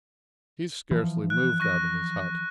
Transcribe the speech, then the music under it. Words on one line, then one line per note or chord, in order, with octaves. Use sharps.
He scarcely moved out of his hut.
E3 F3
F#6
C#6 F#6 A#6